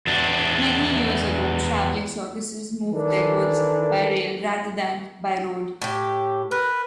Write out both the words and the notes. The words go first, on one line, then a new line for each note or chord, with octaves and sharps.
Many years ago, travelling circuses moved their goods by rail rather than by road.
E2 D4
D#3 E3 D4 A4 A#4
A2 G4
A#4 B4